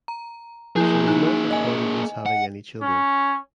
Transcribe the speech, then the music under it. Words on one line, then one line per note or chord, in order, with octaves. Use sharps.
She is not recorded as having any children.
A#5
F3 A#3 E4 G#4
D#4
D#5 G#5
F#5
C#4